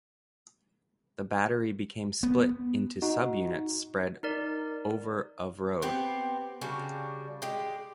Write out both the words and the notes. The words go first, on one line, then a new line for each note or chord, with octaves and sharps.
The battery became split into subunits spread over of road.
B3
D#4 F#4
D#4 A#4 D5
B3 C4 G4
C#3 G3 D4 F#4
G#3 G4